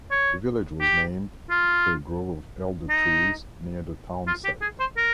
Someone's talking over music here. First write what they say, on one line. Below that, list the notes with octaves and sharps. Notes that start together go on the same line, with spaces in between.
The village was named for a grove of elder trees near the town site.
C#5
G4
F4
D#4
F4
G4
G#4
C5
A#4